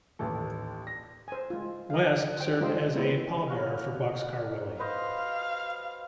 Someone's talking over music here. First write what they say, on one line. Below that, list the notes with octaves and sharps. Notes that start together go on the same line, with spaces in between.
West served as a pallbearer for Boxcar Willie.
A1 D#2 A4
A#6
C5 G#5
G#3 F4
D#5 F5
C5 G5
G#3 F4 G4 C5 D#5 G5
G#3 B3 C4 E4 C5
A#3 F#4 F5
B4 C5 D#5 F5